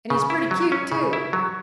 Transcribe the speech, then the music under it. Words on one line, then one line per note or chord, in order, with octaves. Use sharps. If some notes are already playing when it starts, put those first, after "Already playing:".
And he's pretty cute, too.
C#3
E4
F#3
C#4
C#3
E4
F#3